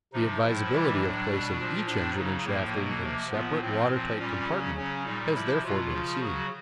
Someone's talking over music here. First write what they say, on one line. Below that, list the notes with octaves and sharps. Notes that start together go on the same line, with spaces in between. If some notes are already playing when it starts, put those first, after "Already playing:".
The advisability of placing each engine and shafting in a separate water-tight compartment has therefore been seen.
C3 F3 D#4
A2 F3 E4
C3 E3 G3
A2 F#3 D4
B2 G3
A#2 F3
A2 F3 D4
C#3 F#3 D#4
A2 F3 A#3
B2 F#3
C3 F3
A#2 F3 B3
A2 F3 C4
A#2 F3
A#2 G3 C#4
C#3 F#3
C#3 F#3 C#4
A#2 G3 D#4
C3 F3 E4
B2 F#3 F4
C#3 F3
C#3 F#3 F#4